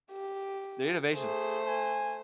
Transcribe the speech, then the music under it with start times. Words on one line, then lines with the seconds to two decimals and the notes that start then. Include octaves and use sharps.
The innovation's
0.12 G4
1.14 A3 G#4 C5
1.66 G#5